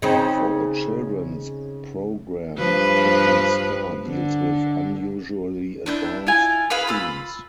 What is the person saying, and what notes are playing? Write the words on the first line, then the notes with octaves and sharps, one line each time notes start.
For a children's program, Captain Star deals with unusually advanced themes.
C#3 C4 D#4
G2 F3 B4
D3
D4 E4 G6
E4 F4 G#5
G#4 B4 F5 B5
F4 B5 E6